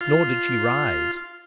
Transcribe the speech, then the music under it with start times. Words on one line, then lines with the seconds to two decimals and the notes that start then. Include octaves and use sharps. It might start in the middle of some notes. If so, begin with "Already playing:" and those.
Nor did she rise.
0.01 F4